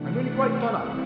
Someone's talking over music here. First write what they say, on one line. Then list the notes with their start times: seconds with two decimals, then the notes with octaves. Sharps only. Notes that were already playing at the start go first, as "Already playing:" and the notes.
I'm really quite done up.
Already playing: C3 E3 A3 D4 F#5
0.74 G3 C4 E4